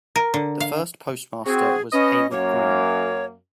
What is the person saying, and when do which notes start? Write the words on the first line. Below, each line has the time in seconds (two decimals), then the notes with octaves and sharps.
The first postmaster was Hayward Green.
0.16 A#4
0.34 D3
0.60 F5
1.46 C4 F#4 G#4
1.93 C#4 B4 D#5
2.31 F#2 A#3 C#5